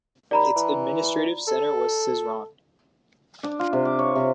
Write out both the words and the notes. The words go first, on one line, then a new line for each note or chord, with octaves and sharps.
Its administrative centre was Syzran.
D#2 D5 A#5 B5
E3
A4
D4
F4
C3
D6
C#5
C3